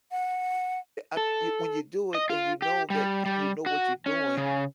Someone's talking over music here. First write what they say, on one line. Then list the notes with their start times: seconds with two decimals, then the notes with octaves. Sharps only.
uh, ye a when you do it and you know that you know what you're doing,
0.12 F#5
1.17 A4
2.15 D#5
2.30 F4
2.62 G4
2.90 G3
3.26 G3
3.66 F#4
4.06 C#4
4.37 C#3